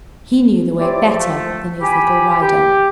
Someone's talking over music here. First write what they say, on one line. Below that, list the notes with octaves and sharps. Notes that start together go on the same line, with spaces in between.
He knew the way better than his little rider.
C4 E4 G4 C#5 D5
F3 A3
G4 G#5 B5 D6
G4